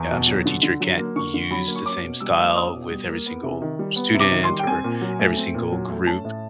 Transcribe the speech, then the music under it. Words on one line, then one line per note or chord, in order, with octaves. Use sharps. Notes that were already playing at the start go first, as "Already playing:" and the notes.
Yeah, I'm sure a teacher can't use the same style with every single student or every single group,
Already playing: E2
B2
F#3
D3
D3
F#3
A#3
D3 C#6
D3
F#3 B5
A#3
C#6
C#4 D6
B2
G3 E6
A#3
C#4 D#6
B2
G3
A#3
B3
C3
D#3
G3
B3
C3
D6
D#3
C6
G3
G5
C4 G#5
A#2
F#3
A3
C4
A#2
F#3
A3
C#4 A5
A2